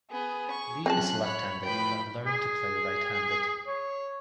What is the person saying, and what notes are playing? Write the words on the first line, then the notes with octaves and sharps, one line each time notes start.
Li is left-handed but learned to play right-handed.
B3 G#4
C#6
F#3 C4 C#4 F4 G#4 A5 F#6
C#5 B5
A2 F3 B4 G5 B5
G#4
C#5